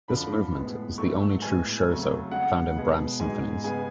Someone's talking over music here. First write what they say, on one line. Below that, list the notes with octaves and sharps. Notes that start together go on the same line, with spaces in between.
This movement is the only true scherzo found in Brahms' symphonies.
F#2 D3 F3 B5
A2 G#3 B3
G#2 F#3 A3 C#6
A2 G#3 B3 G#5
F2 C#3 F#3 A3
F2 C#3 G#3 F#5
B2 G#3 B3
G#2 G#3 B3 G#5
C#3 G#3 B3 G#5